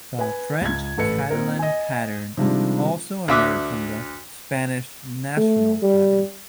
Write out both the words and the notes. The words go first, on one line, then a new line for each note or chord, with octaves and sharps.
The French Catalan pattern also emerged from the Spanish National pattern.
B4 G#5
C#2 G#6
A1 A4 B4 C#7
A#2 C4 A#4
D#5 G#5
C3 D#3 F3 G3 G#3 D4
D2 E5 D6 F#6
A3
G3